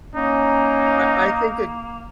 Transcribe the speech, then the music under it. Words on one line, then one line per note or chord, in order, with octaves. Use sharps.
I I think it
A#3 C#4 D#4